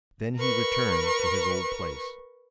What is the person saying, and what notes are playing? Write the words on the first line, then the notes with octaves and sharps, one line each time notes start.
Then he returned to his old place.
A#4 B4 C#6